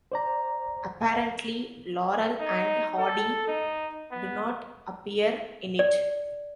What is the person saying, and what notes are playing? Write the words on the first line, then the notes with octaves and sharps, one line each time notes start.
Apparently Laurel and Hardy do not appear in it.
C5 D5 A#5
D#4
A4
D#4
B3
D5